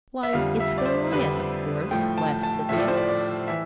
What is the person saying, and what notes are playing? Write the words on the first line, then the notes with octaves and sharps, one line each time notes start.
"Why, it's Goliath, of course!" laughed Cynthia.
E5
F2 D3 G3 F5
E5
D5
C5
F2 D3 G3 B4
A2 F3 A3 G5
A5
A5
A2 F3 A3 E5
D5
C5
D5
D5
E3 E5